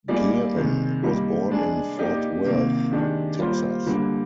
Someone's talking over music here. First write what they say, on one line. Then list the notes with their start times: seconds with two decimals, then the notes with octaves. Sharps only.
Geren was born in Fort Worth, Texas.
0.08 G3 A#3 D#4 G#4 D5
0.56 C3 D#3 G#3
1.03 G3 A#3 D#4
1.51 G#3 D4 G#4
1.97 A#3 D#4 G4 D5
2.45 C3 D#3 A#3
2.91 D#3 G#3 D4 G4
3.39 G3 A#3 F4 C5
3.86 D3 G3 A#3